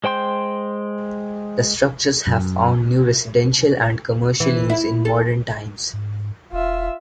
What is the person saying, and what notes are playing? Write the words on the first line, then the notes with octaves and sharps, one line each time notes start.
The structures have found new residential and commercial use in modern times.
G#3 C5 G5 C6 G6
F#2
E3
E4
A4
G#2
E1 F4 E5